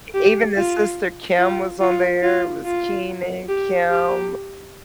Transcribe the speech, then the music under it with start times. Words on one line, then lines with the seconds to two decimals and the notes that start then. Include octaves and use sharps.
E even the sister Kim was on there. It was Keenen, Kim,
0.14 G4
0.56 F4
1.39 F4
1.81 F4
2.23 F4
2.65 F4
3.49 G4
3.90 G4